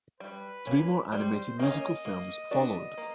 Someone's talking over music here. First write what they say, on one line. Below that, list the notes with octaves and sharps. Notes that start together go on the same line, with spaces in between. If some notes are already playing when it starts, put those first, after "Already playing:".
Three more animated musical films followed.
G3 B4
A#3 C#4
G3 C5
A#3 C#4 D#5
A#3
D4 F#4 B4 D5
A#3